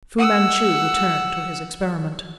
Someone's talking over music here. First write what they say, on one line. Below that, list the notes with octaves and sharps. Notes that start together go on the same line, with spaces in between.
Fu-Manchu returned to his experiment.
F#5 E6